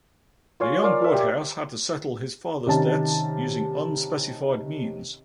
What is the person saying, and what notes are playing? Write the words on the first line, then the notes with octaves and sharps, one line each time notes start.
The young Woodhouse had to settle his father's debts using unspecified means.
F4 C#5 F5 G#5
F4 A#4 D5 F5
A#4 E5
G4
C3 D#3 C#4 A5